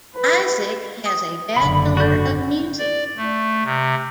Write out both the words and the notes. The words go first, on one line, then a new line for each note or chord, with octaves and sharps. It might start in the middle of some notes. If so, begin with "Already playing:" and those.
Isaac has a Bachelor of music.
B4
D#6
F#1 D3 B5
G#2 D4 F#4 A4 G6
D5
A3
C3